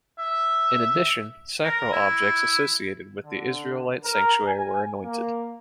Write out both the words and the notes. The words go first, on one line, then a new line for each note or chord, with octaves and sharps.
In addition, sacral objects associated with the Israelite sanctuary were anointed.
E5
A#4
E4
D3
A#4
G#5
A#3